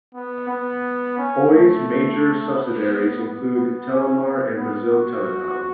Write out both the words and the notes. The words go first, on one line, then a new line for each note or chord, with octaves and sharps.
Oi's major subsidiaries include Telemar and Brazil Telecom.
B3
B3
C#4
A3
B3
B3
B3
C#4
B3
B3
F#4